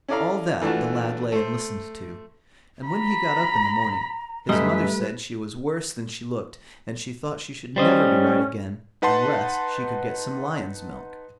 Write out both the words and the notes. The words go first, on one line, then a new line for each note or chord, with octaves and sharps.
All that the lad lay and listened to; and when he got up in the morning his mother said she was worse than she looked, and she thought she should never be right again unless she could get some lion's milk.
C#4 E4 A4 D5 F5 A#5
E3 A3 D4 F4 F#4 A5
A3 C5
A#5 B5
F#2 G3 A3 B4 D#5 E5
G3 C#4 C5 D#5
D#4 B4 F#5 A5 C6